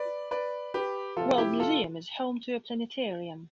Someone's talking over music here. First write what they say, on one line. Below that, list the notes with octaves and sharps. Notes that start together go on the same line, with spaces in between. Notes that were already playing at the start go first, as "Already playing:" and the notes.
World Museum is home to a planetarium.
Already playing: B4 D5
B4 D5
G4 B4
C3 F3 F4 A4
E4 G4
F4 A4